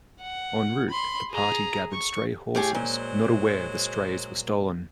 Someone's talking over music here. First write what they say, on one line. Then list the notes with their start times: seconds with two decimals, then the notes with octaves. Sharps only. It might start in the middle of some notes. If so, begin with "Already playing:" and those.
En route the party gathered stray horses, not aware the strays were stolen.
0.21 F#5
0.90 B5 C6
1.31 G#4 A#5
1.92 C#6
2.55 A2 G4 G#4
2.75 A#2 F#3 G#3 C5